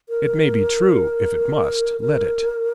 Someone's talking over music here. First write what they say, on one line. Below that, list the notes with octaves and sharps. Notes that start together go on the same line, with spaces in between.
It may be true; if it must, let it.
A#4
A#4